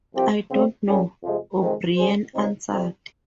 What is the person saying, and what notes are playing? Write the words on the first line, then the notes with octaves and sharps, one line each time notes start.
"I don't know" O'Brien answered.
C2 C3 F3 C4 G4
C#3 G3 C4
C2 A#2 G3 C#4 G#4
F2 C3 F3 G#3
F2 C3 D#3 G#3 C4
C#3 G3 C#4 G#4 C5
C#2 C#3 G3 C4 D#4
F2 C3 G3